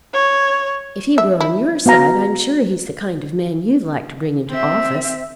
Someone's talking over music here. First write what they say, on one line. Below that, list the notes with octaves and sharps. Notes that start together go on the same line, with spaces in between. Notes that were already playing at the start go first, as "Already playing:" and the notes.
If he were on your side I'm sure he's the kind of man you'd like to bring into office.
C#5
E5
E4
B3 F#4 F5 A#5
C4 E5